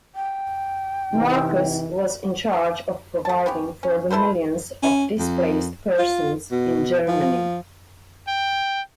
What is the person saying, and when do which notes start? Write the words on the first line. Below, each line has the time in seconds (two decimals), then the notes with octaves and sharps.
Marcus was in charge of providing for the millions of displaced persons in Germany.
0.15 G5
1.12 C3 E3 D#4
3.25 A3 A5
3.46 B3 C#4 G4
3.83 C#4
4.10 E4 A4 B4 C5
4.82 C#4
5.19 F2
5.99 F4
6.51 B2
7.08 F3
8.28 G5